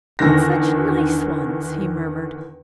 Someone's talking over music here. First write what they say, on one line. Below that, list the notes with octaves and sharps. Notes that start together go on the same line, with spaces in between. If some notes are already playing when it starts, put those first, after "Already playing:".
"And such nice ones," he murmured.
E2 D3 D#3 A#6